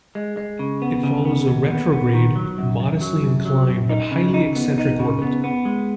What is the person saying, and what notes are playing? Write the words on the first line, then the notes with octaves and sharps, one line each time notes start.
It follows a retrograde, modestly inclined but highly eccentric orbit.
G#3
G#3
C#3
B3
C#3
B3
D#2
B3
B3
D#3
F#3
F#2
F#2
F#3
F#2
F#3
F#2
D#4
C#3
D#4
B3
D#4
C#3
B3
B3
G#3